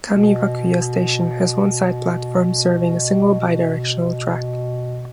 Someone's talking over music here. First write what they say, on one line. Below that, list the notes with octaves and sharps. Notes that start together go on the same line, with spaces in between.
Kami-Wakuya Station has one side platform serving a single bi-directional track.
B2
B2